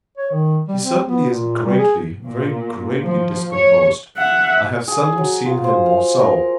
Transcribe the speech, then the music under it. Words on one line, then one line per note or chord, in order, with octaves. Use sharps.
He certainly is greatly, very greatly discomposed; I have seldom seen him more so.
C#5
D#3
G3
C4
B3
A#2
G3
G#4
A#2
F3
C#5
E5 F#5
G#4
F#3
F4
C5
F5
A#4